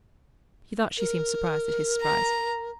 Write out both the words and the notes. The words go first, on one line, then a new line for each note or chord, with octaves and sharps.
He thought she seemed surprised at his surprise.
A#4
A#5